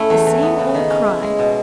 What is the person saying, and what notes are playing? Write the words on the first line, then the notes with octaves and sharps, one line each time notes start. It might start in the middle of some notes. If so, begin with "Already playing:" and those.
The same old cry.
Already playing: A3 C#4 E4
E2
E3
B3
C#3
D#3
C#4
E4
G#3
B2